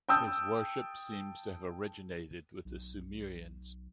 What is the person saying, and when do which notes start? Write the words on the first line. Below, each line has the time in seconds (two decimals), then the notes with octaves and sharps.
His worship seems to have originated with the Sumerians.
0.09 G5 A5 D#6 E6 G6
2.65 B1